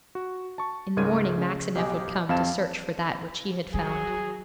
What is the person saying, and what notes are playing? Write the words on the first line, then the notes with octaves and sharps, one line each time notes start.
In the morning Maxineff would come to search for that which he had found.
F#4
A5 C#6
C#2 G#2 C#3 A#4 G#6 D#7
C#3
B1 G4 D#5 G#5 D6
F2 C4 F5 A5 G#6 E7
F#3 G3 G#4